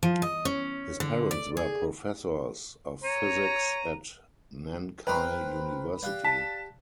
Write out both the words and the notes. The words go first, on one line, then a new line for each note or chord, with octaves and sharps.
His parents were professors of physics at Nankai University.
F3
D#5
C#4
D3
D5
G#4
C#5 A#5 D#7
C4 A#4 B4 G5 A#5 F#6
G4 D5 F5 G5 F#6
A5 B6